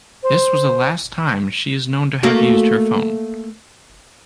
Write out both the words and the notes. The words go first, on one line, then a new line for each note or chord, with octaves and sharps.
This was the last time she is known to have used her phone.
C5
A3 A#3 F#4